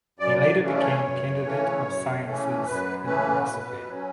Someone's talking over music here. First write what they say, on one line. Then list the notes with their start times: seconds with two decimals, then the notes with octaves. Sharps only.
He later became Candidate of Sciences in philosophy.
0.19 F#2 D5
0.41 D5
0.62 C#3 E3 A3 C#4
0.77 D5
0.81 C#5
1.02 F#2
1.43 C#3 E3 A3 C#4
1.83 F#2
2.24 C#3 E3 A3 C#4
2.65 F#2 B4
3.05 C#3 E3 A3 C#4 B4
3.47 B2
3.87 F#3 C#4